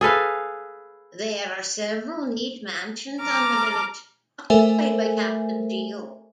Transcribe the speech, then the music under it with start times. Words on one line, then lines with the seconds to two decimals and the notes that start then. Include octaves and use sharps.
There are several neat mansions on the village, occupied by Captain Geo.
0.01 G#4 A4 B4 F5
3.22 A5 A#5 D6 F6
4.50 A3 A4 A#4 C5 E5 G#5